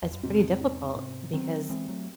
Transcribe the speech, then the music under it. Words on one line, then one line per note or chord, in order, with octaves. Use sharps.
it's pretty difficult because
E2
F#2
E2 G#2 C3
D#4
G#2 C3 C4
D#3 F#3 C4
E3 G#3 C4
F#3 A3